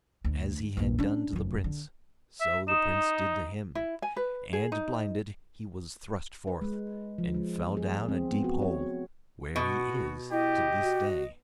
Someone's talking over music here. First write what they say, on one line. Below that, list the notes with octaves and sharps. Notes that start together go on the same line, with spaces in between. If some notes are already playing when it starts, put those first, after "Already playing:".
As he had done to the prince, so the prince did to him, and, blinded, he was thrust forth, and fell down a deep hole, where he is to this day.
D2
A#1 E2
C#4 D4
F1 F#2
D3
E5
D#4 D#6 E7
E4
G#5
B4
G#4
D#4
B4
G#3
F3
G#3
B3
G#4
C4
B3
F#4
C#5
B2 F#4
E4 G4 D#5
F#4